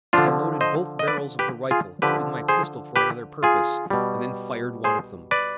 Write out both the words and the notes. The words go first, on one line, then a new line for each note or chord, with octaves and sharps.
I loaded both barrels of the rifle, keeping my pistol for another purpose, and then fired one of them.
D3 F3 D4 F4
C5 D#5
D#5
B4 D5
G4 B4
F4 G#4
D3 F3 G4 B4
G#4 C5
G4 B4
F4 G#4
B2 G3
G#4 C5
B4 D5